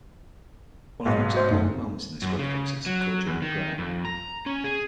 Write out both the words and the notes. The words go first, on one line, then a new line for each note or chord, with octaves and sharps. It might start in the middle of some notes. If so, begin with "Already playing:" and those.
One of the most important moments in this growth process occurred during prayer.
B1 G#2 B2
F#4 C5 E5
F#2 A3 D#4
F#2
C#3
F#3
E2
D#3
F2
A#5
C#4
G#4